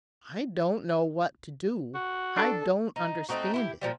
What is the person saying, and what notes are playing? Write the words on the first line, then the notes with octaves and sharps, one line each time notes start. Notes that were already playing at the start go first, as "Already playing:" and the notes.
"I don't know what to do: I don't understand it!"
F#4
D4 A4
D#4
A3 C4 D#4 F#4
E4 F4 G4
A#2 F3 G3